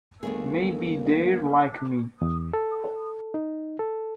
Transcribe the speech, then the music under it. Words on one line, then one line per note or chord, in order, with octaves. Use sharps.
Maybe they're like me.
G1 D#2 A3 A#3 G#4
E2
A4
D#4
A4